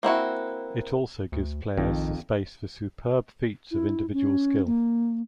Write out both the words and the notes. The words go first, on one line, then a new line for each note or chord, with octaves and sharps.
It also gives players the space for superb feats of individual skill.
A#3 C4 E4 F#4
D2
A#1 F2 D#3
E4
C#4
A#3